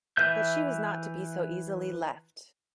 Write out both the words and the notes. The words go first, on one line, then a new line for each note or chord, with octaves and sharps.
But she was not to be so easily left.
E3 B4 E5 G6